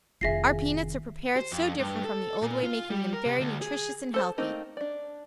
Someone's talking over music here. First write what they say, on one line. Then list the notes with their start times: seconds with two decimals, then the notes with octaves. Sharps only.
Our peanuts are prepared so different from the old way, making them very nutritious and healthy.
0.21 F1 D#3 F4 G#4 E5 A#6 C7
1.37 C5
1.51 F2
1.79 G2
2.05 A4
2.42 A#2
2.64 F4
2.90 G3
3.13 A#4
3.26 C3
3.40 D2
3.62 G#4
4.14 A4 C5 A5
4.38 A3 A#3 C4 D#4
4.77 D4 D5